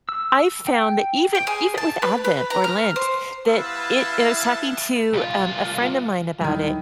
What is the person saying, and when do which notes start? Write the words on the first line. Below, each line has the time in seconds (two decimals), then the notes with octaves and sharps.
I found that even even with Advent or Lent that it and I was talking to, um, a friend of mine about it,
0.09 E6
0.67 G5
1.35 G5
1.47 G#4
1.78 A5
2.02 B4
2.25 B4
2.50 A#5
2.64 F6
2.96 C5
3.48 G3 B3 E4 B4 F5 A5 E6
5.13 C2 F4
6.41 D2 D#3 F#3 G3 E4